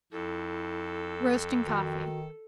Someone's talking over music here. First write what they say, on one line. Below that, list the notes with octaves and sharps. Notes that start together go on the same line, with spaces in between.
Roasting Coffee.
F2 E4 A4
D#3 F#4